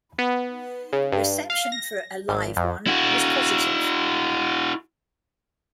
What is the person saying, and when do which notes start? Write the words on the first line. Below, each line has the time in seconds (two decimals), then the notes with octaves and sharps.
Reception for "A Live One" was positive.
0.19 B3
0.93 C#3
1.12 G2
1.50 F5
1.72 A#6
2.29 G#1
2.57 F2
2.87 E4 F#4